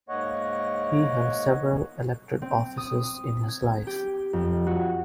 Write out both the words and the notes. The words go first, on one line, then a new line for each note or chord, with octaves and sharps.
He held several elected offices in his life.
G#2 A#3 C#5 D#5 F#5 C#6
C4
D#6
G#6
G4
F2
F#4